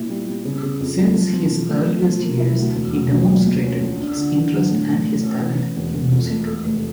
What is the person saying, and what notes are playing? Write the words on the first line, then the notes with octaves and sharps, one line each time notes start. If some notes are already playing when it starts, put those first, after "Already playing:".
Since his earliest years, he demonstrated his interest and his talent in music.
Already playing: A#2 E4
G3
G3
C#3
C#3
F2
F2
F3
F3
F3
A3
F3
F3
A#3
E4
D2
E1
D2
D2
A#2
A#2
C#4
A#1
D4
D3
D3
D3
A2
A2
A2
C#4
E3
E3
E1
E1
F2
A3
A3
F1